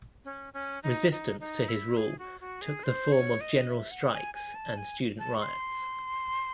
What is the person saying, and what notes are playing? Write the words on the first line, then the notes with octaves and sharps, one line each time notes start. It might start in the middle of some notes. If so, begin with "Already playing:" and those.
Resistance to his rule took the form of general strikes and student riots.
C#4
C#4
D#4
D#4
D#4
E4
G#4
F#4
F#4
G#4
C5
C#5
D#5
E5
F#5
G#5
G#5
A5
G#5
A5
C#6
C6